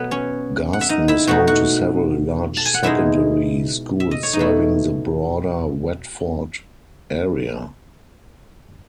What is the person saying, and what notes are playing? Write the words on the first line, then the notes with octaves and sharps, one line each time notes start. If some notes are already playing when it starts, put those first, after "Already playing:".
Garston is home to several large secondary schools serving the broader Watford area.
Already playing: B2 F#3 B3 B4
C#4 C#5
F#5
E5
D#4 D#5
E4 E5
B2 A3 D#4 F#4 F#5
F#4 F#5
A5
G#5
F#5
B2 G#3 D#4 E4 E5
E5
D#5
C#5
D#4 D#5
B2 A3 E4